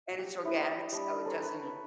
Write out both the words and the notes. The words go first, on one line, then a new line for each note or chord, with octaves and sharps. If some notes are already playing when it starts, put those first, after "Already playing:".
and it's organic so it doesn't, uh
G4
E4 B4 C#5
D5 D#5
G3 D4
A4 A#4 C#5 C6
B4 B5 C#6